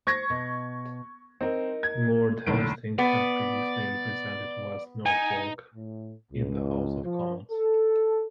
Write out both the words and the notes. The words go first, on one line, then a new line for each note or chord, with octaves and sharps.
Lord Hastings had previously represented West Norfolk in the House of Commons.
C5 C#6 G#6 A#6
B2
C4 D#4 A#4
G#6
F1 B1 D3 E4 D7
B3 D5
D#4 G#5
A2
C#2
F3
A4